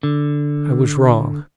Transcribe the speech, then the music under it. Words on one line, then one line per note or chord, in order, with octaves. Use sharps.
I was wrong.
D3